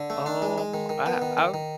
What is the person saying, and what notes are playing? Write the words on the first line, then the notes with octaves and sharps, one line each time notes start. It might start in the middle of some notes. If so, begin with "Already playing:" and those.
Um, I I
Already playing: D3
A3
D4
G#3
G#3
D#3
D#3
B3
D#3
D#3
D#3